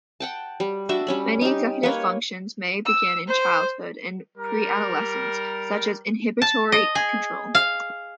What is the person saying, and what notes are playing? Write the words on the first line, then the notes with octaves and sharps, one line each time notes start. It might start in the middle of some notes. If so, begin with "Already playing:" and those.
Many executive functions may begin in childhood and preadolescence, such as inhibitory control.
F#5 G5 A5
G3
D4 F#4 E5
G3 C#4 B5
D#4 G4
A#3 B4 C#5
E6
C5
G3 A#4
A5
D#5
G#4
F5